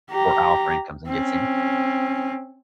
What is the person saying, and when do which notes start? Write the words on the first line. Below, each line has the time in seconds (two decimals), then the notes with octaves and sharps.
or our friend comes and gets him,
0.10 G4 A#5
1.08 C4 C#4